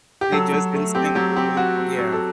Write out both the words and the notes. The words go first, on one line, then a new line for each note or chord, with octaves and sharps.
They just instinctively yeah,
G4
F#3 A4
F#3
A3
C4 G4
F#3 G4
C4 G4
C4 F#4
C4
F#3
A4